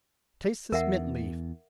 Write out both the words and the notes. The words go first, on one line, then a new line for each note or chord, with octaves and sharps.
Taste this mint-leaf!
E2 A#4 E5 F#5